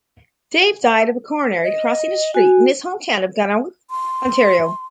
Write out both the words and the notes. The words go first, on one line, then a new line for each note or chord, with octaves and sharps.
Day died of a coronary crossing a street in his hometown of Gananoque, Ontario.
D#5
F#4 G#5
C6